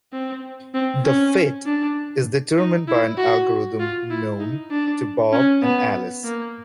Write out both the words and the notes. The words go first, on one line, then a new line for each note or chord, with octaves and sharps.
The "fit" is determined by an algorithm "known" to Bob and Alice.
C4
C4
C#4
D4
D#4
E4
F#4
F4
E4
D#4
D4
C#4
B3
A#3